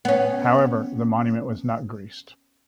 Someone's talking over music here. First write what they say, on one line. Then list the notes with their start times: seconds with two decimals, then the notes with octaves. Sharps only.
However, the monument was not greased.
0.05 B3 C#4